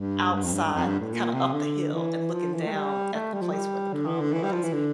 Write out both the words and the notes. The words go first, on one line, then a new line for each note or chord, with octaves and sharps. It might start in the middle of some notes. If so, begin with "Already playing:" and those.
outside, kind of up the hill and looking down at the place where the prom was,
Already playing: G2
G2
F2
G2
G2
F2
G2
A2
A#2
C3
D3
E3
F3
E3
A3
G3
A3
G3
F3
G3
D3
E3
D3
E3
G3
F3
E3
D3